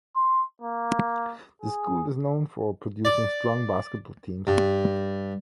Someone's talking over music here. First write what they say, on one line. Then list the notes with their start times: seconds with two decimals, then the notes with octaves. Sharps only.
The school is known for producing strong basketball teams.
0.16 C6
0.62 A#3
1.62 G#4
3.05 D5
4.47 G2